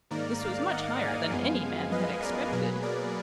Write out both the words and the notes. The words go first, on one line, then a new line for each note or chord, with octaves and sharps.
This was much higher than any man had expected.
G#2 D#3 A#3 A#4 D5
D5 F5
D#5 F#5
F5 G#5
F#2 F3 G#3 B3
B4 D#5
A#4 D5
B2 F#3 A#3 G#4 B4
A#4 D5